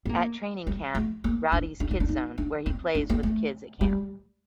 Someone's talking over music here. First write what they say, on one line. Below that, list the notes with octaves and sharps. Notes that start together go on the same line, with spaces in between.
At Training Camp, Rowdy's Kid Zone, where he plays with the kids at camp.
C4
A#3
G3
A3
A#3
D4
D4
D#4
D4
D#4
D4
C4
D4
A#3
A3
G3